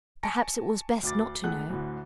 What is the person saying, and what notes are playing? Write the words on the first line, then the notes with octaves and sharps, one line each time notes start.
Perhaps it was best not to know.
G#5 A5 C#6 A#6 C#7 D7
D2 D6 A6
C#2 A3 G#4 A4 F#5 F#6
D2 A2 D3